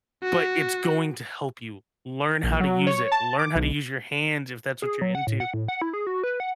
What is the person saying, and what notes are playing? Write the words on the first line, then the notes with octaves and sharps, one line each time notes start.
but it's going to help you. Learn how to use it, learn how to use your hands if that's what you're into.
F#4
A#1
F#3
C#5
A5
D6
B1
G#4
F#3
F#5
A2
F#5
A2
F#5
E4
G#4
F#4
B4
F#5